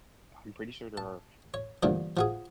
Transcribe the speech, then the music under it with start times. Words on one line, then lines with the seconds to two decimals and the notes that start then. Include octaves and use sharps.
I'm pretty sure there are
0.97 A5
1.54 C#5
1.83 G2 A#2 D3 E3 F3
2.17 F3 F#4 G#4